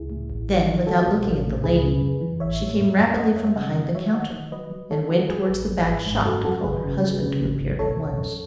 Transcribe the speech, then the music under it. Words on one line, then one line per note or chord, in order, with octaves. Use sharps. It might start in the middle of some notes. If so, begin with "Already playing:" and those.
Then, without looking at the lady, she came rapidly from behind the counter, and went towards the back-shop to call her husband, who appeared at once.
Already playing: C#2 E4 G#4
A2
A1
F#3
D#3
F#3 F#4 A4
B1
A1
A2
C#2 G#4 B4
C#3
F#2
E3
A1 C#5 E5
A2
F#2
F#2
F#2 D#5 F#5
F#2 C#5 E5
C#3 D#5 F#5
E3
F#3 C#5 E5
D#3 D#5 F#5
D#3
F#3 B4 D#5
F#3
D#3 A4 C#5
F#3 F#4 A4
F#3 G#4 B4
A1
A1
G#1
G#2
F#2 F#4 A4
F#3 F#4 A4
G#1 G#4 B4
C#3
F#3
C#3
G#1
G#1
B1 A4 C#5
B1
F#2